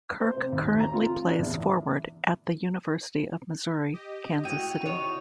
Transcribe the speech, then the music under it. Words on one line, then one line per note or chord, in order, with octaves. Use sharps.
Kirk currently plays forward at the University of Missouri-Kansas City.
C5
C3
D#2
A#5
F4
D4
E2
G4 D#5
E4 F#4 G5 D#6 D#7
D#3 C#5